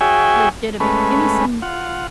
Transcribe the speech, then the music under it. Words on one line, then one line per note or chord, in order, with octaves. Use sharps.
legitimate give me some
F#4 G#4 C#5 E5 G5 G#5
G#3 A3 C#4 B4
F4 F#5